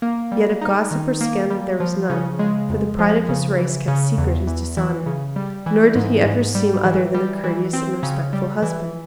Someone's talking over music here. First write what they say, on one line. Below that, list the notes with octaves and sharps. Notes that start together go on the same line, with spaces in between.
Yet of gossip or scandal there was none, for the pride of his race kept secret his dishonour, nor did he ever seem other than a courteous and respectful husband.
A#3
G3
D#4
D#3
A#3
G3
F3
C#3
G#3
F2
F3
C#3
E3
C#3
E2
E2
E3
C#3
G3
E3
G#2
G#2
G3
E3
G3
E3
C4
C#3
G3
E3